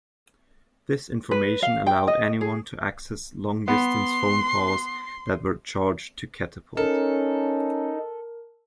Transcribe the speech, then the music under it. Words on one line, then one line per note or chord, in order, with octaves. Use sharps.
This information allowed anyone to access long-distance phone calls that were charged to Catapult.
B4
F5
G5
D#5
G#4
B3 C6
C#4 D#4 A4 A#4